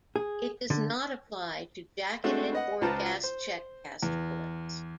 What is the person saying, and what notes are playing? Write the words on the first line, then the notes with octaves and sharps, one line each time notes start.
It does not apply to jacketed or gas-check cast bullets.
G#4
D3
G#3 A3 C4 D4 F#4
B4 D#5 F#5
C#2 F4 B4 C5 A5 A#5
C5
E2